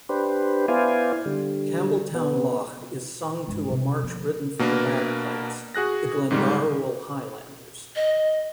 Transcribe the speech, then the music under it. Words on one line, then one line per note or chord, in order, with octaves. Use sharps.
Campbeltown Loch is sung to a march written for the bagpipes, "The Glendaruel Highlanders".
D4 G4 B4 C5
B3 E4 C5 D5 F5 G#5
D3 G3
B3
G2 G#3
C3
F3 A#3
B2 A#3 D4 A#4 B4
F#4 G#4 F#6 A#6
G#2 D#3 G3
D#5